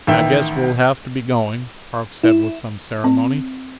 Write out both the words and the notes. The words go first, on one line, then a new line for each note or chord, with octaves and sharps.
"I guess we'll have to be going," Park said with some ceremony.
A1 D#3 E5 G5
E4
C4